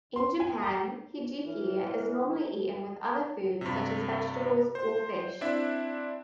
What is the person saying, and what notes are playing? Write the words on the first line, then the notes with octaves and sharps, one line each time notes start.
In Japan, hijiki is normally eaten with other foods such as vegetables or fish.
C6
G#5
A#5
E3 A#4
G2 C3
C5
C4 D4 E4 E5